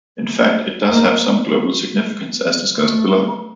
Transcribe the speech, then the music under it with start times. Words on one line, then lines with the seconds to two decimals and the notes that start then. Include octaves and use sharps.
In fact, it does have some global significance, as discussed below.
0.89 A#3
2.80 A3